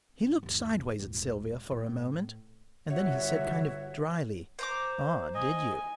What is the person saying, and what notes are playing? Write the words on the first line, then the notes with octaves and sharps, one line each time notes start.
He looked sideways at Sylvia for a moment and then he said kind of drily, "Ah, did you?"
G#2
G1 D#2
D#1 G#1
A2
G1 F#4 C#5 E5 F#5
C5 A#5 D6
D#5 G#5